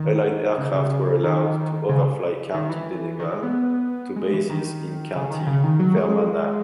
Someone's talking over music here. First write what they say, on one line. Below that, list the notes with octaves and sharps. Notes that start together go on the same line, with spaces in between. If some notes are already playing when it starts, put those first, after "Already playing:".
Allied aircraft were allowed to overfly County Donegal to bases in County Fermanagh.
Already playing: D#3
C#3
C#3
D#3
C#3
D#3
E3
D#3
E3
G#3
B3
G#3
E3
D#3
C#3
D#3
C#3
D#3
F#3
G#3